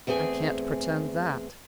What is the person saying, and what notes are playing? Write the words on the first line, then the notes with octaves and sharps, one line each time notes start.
"I can't pretend that."
E2 A3 C4 G#4 G#5